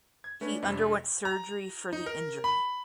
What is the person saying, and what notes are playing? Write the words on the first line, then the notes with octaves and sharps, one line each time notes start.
He underwent surgery for the injury.
G#6
A3 C#4 D4 B4
F2 C3
A#5
D#4
A#4
B5